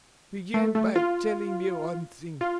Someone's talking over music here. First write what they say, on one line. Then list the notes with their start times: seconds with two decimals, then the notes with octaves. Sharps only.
Begin by telling me one thing.
0.54 A3
0.75 A3
0.96 F4
2.41 F4